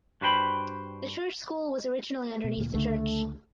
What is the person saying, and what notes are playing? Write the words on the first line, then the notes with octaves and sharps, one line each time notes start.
The Church school was originally underneath the church.
G2 F#4 B4 C5 G5 B5
B2
D2 A#2
C#2 D3 A3